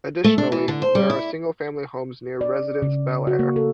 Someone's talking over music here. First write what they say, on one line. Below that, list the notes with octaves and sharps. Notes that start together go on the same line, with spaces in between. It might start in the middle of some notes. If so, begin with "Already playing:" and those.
Additionally there are single family homes near "Residence Bel-Air".
A3
D4
E3
D3
C5
G3
E4
D5
C#3
F#4
A#3
A4